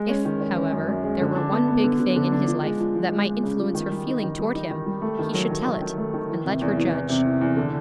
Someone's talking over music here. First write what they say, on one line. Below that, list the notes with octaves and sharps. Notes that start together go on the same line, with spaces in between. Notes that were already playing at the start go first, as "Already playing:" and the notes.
If, however, there were one big thing in his life that might influence her feeling toward him, he should tell it, and let her judge.'
Already playing: G#3
C#4
D#3
C#4
C#4
F#2
F#2
G#3
D3
D4
B3
B3
D3
D3
D3
D4
F3
G#3
F3
F3
G#3
G#3
C#3
F3
D#3
G3
D#4
D#3
G3
D#4
D#3
G3
A3
D#3
F#3
D#3
D#3
D#3
A3
D#3
E3
C3
E2
E3
E2
C3
E3
E2
D3